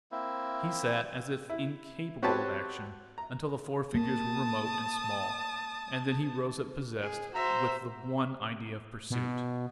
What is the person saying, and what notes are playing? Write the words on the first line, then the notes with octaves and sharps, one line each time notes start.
He sat as if incapable of action until the four figures were remote and small, and then he rose up possessed with the one idea of pursuit.
A#3 C4 E4 E5
E4
C4 F#4 G4 B4 C#5 A5
A#5
A#3 A5 D#6
G#4
F#4 C5 E5 A#5
B2